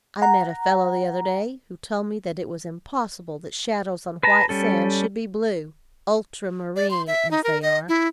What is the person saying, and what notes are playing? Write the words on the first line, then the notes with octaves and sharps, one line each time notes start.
I met a fellow the other day who told me that it was impossible that shadows on white sand should be blue,--ultramarine,--as they are.
F#5 A#5
B4 A5 A#5
G3 C#4 A4
D5
C6
E5
D#4
A#4
D#5
E4